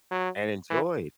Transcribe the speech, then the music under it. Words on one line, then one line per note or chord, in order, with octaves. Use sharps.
And enjoyed.
F#3
E3